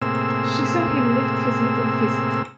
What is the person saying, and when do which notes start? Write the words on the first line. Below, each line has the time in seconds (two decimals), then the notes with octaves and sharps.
She saw him lift his little fist.
0.02 A2 C3 A#3 C4 G#4 E6